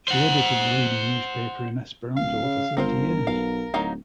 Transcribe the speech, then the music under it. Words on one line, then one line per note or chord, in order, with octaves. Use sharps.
She edited the leading newspaper in Esperanto for thirty years.
C5 F#5
D1 F5
C#3
G1 C4 F4 A#4 C5
B1 F5
D1 F#3 D#4 F5